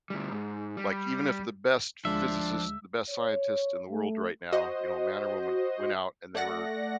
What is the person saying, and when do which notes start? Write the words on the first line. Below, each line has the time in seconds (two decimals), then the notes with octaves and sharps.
like, even if the best physicist, the best scientist in the world right now, you know, man or woman, went out and they were
0.10 D2 G3
0.32 G#2
0.77 G3
2.05 D2 F3 G#3 D4 E5
3.09 C#5
3.90 A3
4.52 F#4 C5 D#5
6.35 A3 D5 F#5 A#6